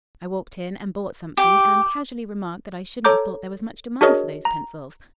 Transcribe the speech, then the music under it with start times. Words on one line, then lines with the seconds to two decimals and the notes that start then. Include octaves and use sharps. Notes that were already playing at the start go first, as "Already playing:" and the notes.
I walked in and bought something, and casually remarked that I shouldn't have thought there was much demand for those pencils.
1.37 G4
3.04 A4 C#5 A#5 D6 G6
4.01 D4 F#4 G#4 A#4 C#5 D#5
4.45 A#5